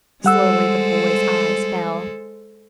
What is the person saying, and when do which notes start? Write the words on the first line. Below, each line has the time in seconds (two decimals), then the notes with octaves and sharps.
Slowly the boy's eyes fell.
0.24 G3 G#3 A4 C5 F#5 E6